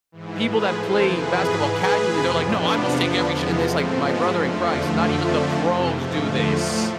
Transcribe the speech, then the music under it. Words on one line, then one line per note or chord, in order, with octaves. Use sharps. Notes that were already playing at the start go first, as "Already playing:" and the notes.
people that play basketball casually, they're like, "No, I must take every sh" and it's like, "My brother in Christ, not even the pros do this."
G#2 E3
A2 F3 G#4 B4
F2 E3 A4 C5
F2 C3 E3 G#4 B4
G#2 E3
A2 E3 G#4 B4
F2 C3 F3
A2 F3 B3 D4
E2 C3 F3
E2 D3 F3
E2 C3 F3 G#3 B3
A2 F3 A3 C4
G#2 F3 G#3 B3
F2 D3 F3 A3
E2 D3 F3 A3
F2 D3 F3 A3
F2 D3 F3
F2 C3 E3
G#2 F3 A3
E2 D3 F3 A3
A2 F3 A3